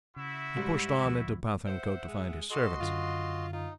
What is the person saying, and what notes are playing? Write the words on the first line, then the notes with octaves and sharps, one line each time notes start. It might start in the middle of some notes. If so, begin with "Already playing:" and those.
He pushed on into Pathankote to find his servants.
C#3 E4 F#4 E5
G#2 G3
D2 F3
C5 E5 F#5
G#3
F#4 A4 D#5 C6
F#2 D3 F4
D#4 F4